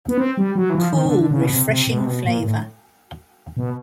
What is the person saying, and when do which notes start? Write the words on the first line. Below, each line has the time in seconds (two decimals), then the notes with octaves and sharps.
Cool, refreshing flavour.
0.08 B3
0.18 C4
0.37 G3
0.56 F#3
0.70 E3
0.75 F3
0.93 D#3
1.06 D3
1.18 D3
1.31 C#3
1.41 B2
1.50 C3
1.68 C3
1.87 B2
1.98 C3
2.07 B2
2.25 A#2
2.44 A2
3.57 B2